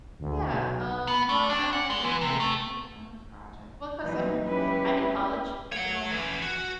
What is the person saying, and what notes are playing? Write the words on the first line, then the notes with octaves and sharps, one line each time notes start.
Yeah, um, well, I haven't really have I done a project? Well, 'cause I'm I'm in college at the moment
D2
B1
B3
A3
D4
F#5
G#3
E3
C3
A3
A#2 E3 F#3 G3 D#4
G#3 C#4 E4 G4 B4
C#5 F#5
E3 C#4
F#4